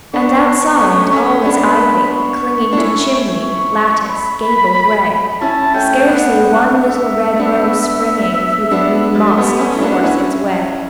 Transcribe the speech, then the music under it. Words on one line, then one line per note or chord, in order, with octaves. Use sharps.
And outside all is ivy, clinging To chimney, lattice, gable grey; Scarcely one little red rose springing Through the green moss can force its way.
B3 D4 C#6
A3 C#4
A3 C#4
C#4
B3 D4 B5
C#6
D4
C#4 E4
C#6
B5
C#4 E4 A5
A3 C#4 G5
C#4
B3 D4 F#5
E5
B3 D4
B3 D4
G3
A3
G3 B3
A3 C#4
E4
B3 D4
F#4
C#4 E4